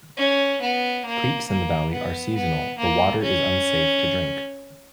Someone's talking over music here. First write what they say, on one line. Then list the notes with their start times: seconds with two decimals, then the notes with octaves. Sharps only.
Creeks in the valley are seasonal, the water is unsafe to drink.
0.17 C#4
0.62 B3
1.05 A#3
1.48 A#3
1.92 B3
2.35 B3
2.78 A#3
3.22 C#4